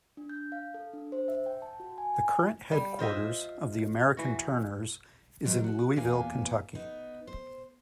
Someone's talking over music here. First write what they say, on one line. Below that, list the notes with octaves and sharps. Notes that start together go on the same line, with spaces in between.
The current headquarters of the American Turners is in Louisville, Kentucky.
D4
G6
F5
A4
D4
C5
E5
G5
A5
F#4
G#5
G#5
G3
F4 C5 D#5 E5
E3 F#4
D#3 F#3 G3 B3 C4
F#4
E2 A#2 A#3 B3 F5 G#5
B3 D#4
C5